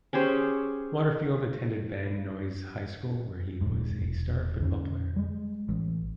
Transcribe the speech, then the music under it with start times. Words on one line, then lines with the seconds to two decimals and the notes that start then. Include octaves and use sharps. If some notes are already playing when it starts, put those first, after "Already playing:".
Waterfield attended Van Nuys High School where he was a star football player.
0.13 C#4 G4 G#4 C5
3.61 D#1 G#2
4.01 E1
4.60 F2 D3 C#4
5.16 G3 G#3
5.69 A1